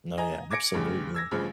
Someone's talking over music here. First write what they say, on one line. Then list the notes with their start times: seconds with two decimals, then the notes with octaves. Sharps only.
No, yeah, absolutely.
0.18 D#5 G#5 A#5
0.51 D6 G#6 A#6 C#7 D7
0.74 A1 G2 C#3 G4
1.14 E6 G#6 A#6
1.31 A1 G2 C#3 F3